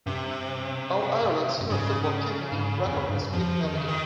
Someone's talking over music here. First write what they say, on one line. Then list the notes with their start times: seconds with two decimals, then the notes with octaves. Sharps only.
All-Ireland Senior Football Championship record as Meath manager.
0.06 G2 C3
1.61 G2
1.70 G#2 C#3
2.52 G#2
2.86 F2
2.93 G2
3.09 G#2
3.22 G2
3.33 F2 F3
3.61 D#3
3.77 C#3
3.88 D#3